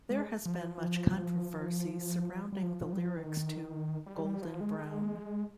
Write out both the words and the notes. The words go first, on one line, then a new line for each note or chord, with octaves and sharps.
There has been much controversy surrounding the lyrics to "Golden Brown".
G#3
F3
G3
F3
F3
G3
F3
D#3
G3
G3
F3
G#3
G#3